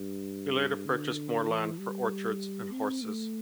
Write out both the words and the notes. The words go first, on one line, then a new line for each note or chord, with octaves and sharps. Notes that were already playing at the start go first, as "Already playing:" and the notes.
He later purchased more land for orchards and horses.
Already playing: G2
G2
D3
E3
G3
C4
A3